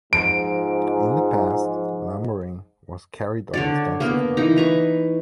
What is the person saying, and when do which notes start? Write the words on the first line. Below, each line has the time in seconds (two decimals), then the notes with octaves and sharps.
In the past, lumbering was carried on extensively.
0.13 G#2 F3 D7
3.54 D3 C#5 D5
4.00 A#3 B3 A#4
4.37 E3 D#4 A#5
4.56 B4 A#5 C#6